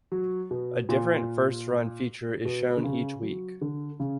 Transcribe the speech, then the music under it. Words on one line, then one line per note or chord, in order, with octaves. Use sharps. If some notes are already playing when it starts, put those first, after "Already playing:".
A different first-run feature is shown each week.
F#3
B2
A#2
B2
D3
C#3
F#3
D3
C#3